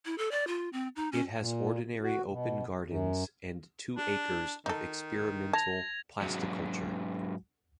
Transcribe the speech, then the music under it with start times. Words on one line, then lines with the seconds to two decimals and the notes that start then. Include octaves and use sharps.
It has ordinary open gardens and two acres of experimental "plasticulture".
0.05 E4
0.18 A4
0.31 D5
0.47 F4
0.73 C4
0.96 D#4
1.12 C#4
1.39 A#2
2.03 F#4
2.30 B2
2.87 F#2
3.98 D4
4.66 D#3 D#4 A4
5.53 A5 G#6 A#6 F7
6.21 G#2 F#3